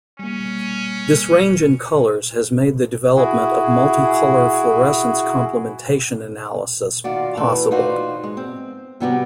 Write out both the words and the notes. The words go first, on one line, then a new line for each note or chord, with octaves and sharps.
This range in colours has made the development of multicolour fluorescence complementation analysis possible.
G3 A#3 C#4
E4 F#4 G#4
D#3 F4 F#4 D5
E3 A3 A4 B4
D#4 F4 F#4 C5 D5
G#3
C4
C3 G3 B3 C#4 F#4 G4